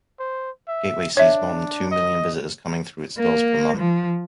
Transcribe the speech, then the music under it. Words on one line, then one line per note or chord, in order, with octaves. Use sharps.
Gateway sees more than two million visitors coming through its doors per month.
C5
E5
D4 C#5 E5
D#5
A#3
F3